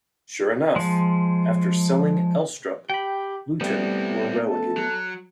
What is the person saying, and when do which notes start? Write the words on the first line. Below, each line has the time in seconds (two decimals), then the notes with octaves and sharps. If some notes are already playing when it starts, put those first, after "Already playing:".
Sure enough, after selling Elstrup, Luton were relegated.
0.76 F3 G#3
2.90 G4 G5 B5
3.61 G3 A3 B3 C4 E4
4.49 A4
4.77 F#3